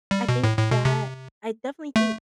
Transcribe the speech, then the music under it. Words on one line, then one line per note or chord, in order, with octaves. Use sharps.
I think that I definitely think
G3
B2
A2
A2
B2
C3
A3